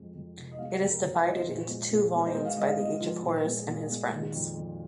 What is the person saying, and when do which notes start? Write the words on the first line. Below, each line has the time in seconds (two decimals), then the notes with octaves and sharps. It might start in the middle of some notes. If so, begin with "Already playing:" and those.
It is divided into two volumes by the age of Horace and his friends.
Already playing: F2 G#3
0.14 F2
0.37 C3
0.52 D#5
0.58 G#3 F5
0.69 D#5
0.80 F2 A#4
0.92 A#4
1.02 F2
1.14 F5
1.24 F3 D#5
1.35 C5
1.47 A#2
1.68 G#3
1.91 A#2
2.12 G#3
2.18 A#4
2.27 C5
2.34 G#3 D#5
2.45 F5
2.56 G#2 D#5
2.67 F5
2.78 G#2 D#5
3.01 F3
3.22 A#2
3.45 G#3
3.68 A#2
3.89 G#3
4.12 D#3
4.33 F2
4.56 F2